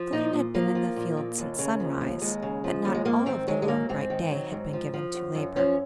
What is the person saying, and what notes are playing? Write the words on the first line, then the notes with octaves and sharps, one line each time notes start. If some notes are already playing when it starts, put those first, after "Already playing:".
The children had been in the field since sunrise, but not all of the long bright day had been given to labor.
Already playing: F3
A#2 D#4
A#2
F3 A#3
F3
A#2
A#2
D#2
C#3
F3
D#2
D#2 G#3
C#3
F3
D#2
G#3
G#2 A#3
D#3 C4
F#3 G#3
G#3
G#2 A#3
G#2 C4
D#3
F#3
G#2
F3
F3
F#2
F#2
F3 C#4